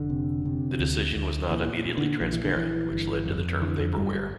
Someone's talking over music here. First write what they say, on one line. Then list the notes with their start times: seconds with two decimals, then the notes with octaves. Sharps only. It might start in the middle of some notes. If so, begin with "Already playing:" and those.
The decision was not immediately transparent, which led to the term vaporware.
Already playing: F1 D3
0.10 C3
0.45 C3
0.80 D2
1.16 D2
1.51 A#2 E3
1.86 A#2
1.98 D3
2.20 A#1 F3
2.33 E3
2.44 D3
2.56 A#1 E3
2.92 G1
3.25 F2
3.61 D3 E3
3.79 F2 F3
3.96 G1 G2 G3
4.14 G3